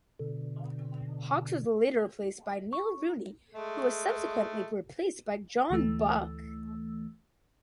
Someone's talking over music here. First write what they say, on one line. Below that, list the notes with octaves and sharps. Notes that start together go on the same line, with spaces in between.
Hawkes was later replaced by Neil Rooney; who was subsequently replaced by John Buck.
B2 D3
C#6
G#3 A3
D2 E3 A3 E6